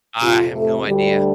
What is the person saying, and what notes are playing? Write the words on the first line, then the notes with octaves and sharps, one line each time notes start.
I have no idea.
F2 C3 F4
A3
D2 D3 G3